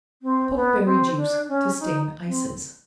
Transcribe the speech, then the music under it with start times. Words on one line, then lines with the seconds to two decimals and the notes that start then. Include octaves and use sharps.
Pokeberry Juice to Stain Ices.
0.22 C4
0.54 B3
0.85 C4
1.17 D4
1.48 C#4
1.80 D#4
2.27 C4